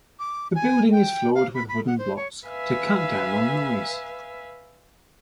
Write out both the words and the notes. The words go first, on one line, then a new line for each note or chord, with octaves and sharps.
The building is floored with wooden blocks to cut down on noise.
D6
G#5
G5
F5
B5
B5
F#5
C5
C#5
B4 E5 F5 G#5